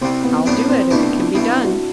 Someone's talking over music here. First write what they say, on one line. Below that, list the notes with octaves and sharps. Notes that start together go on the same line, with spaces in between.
"I'll do it--if it can be done."
C2 C3 G3 C4
B3
A2 F#3 B3 D4 G4
C4
C2 B2 A3 D4 E4 G4
B1 B2 G3 E4
F#4